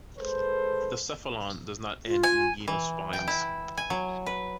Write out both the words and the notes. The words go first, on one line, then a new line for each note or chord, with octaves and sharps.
The cephalon does not end in genal spines.
G#3 A4 B4 C5
F4
G#5
E3
G5
E4
G#5
F#3
B4